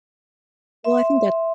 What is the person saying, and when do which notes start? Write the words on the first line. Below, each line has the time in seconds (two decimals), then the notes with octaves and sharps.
Well, I think that
0.84 E5 C6